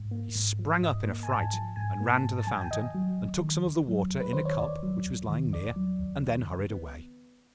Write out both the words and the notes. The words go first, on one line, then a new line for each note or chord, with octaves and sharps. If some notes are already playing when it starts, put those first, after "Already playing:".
He sprang up in a fright, and ran to the fountain, and took some of the water in a cup which was lying near, and then hurried away.
Already playing: G#2
A#3
G#2
F3
G#2 D#5
A#3
G#5
G#2 A5
F3
G#2 G#5
A#3
A5
G#2
A5
F3 G#5
G5
G#5
D#2 D#5
F#3
D#2
D#3
D#2
F#3
D#2
B4
D#3 C5
C#5
D#2 D5
F#3
D#2
D#3
D#2 D5
F#3
D#2
D#3
C#3
B3